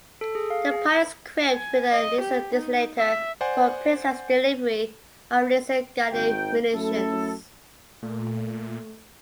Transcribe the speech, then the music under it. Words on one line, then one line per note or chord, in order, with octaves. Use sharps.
The pod is equipped with a laser designator for precise delivery of laser-guided munitions.
A4
G#4
F5
G#4
G#5
D#5
G4
D#4
E5
C5 D5 F#5 G#5
G#1 D#3 G5
F#2 A3 C#4 E4 A4
A#2 A3